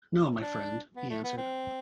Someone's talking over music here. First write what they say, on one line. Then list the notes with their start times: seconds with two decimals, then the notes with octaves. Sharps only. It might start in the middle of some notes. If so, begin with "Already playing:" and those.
"No, my friend," he answered.
0.42 D4
0.96 B3
1.10 A3
1.24 B3
1.37 C4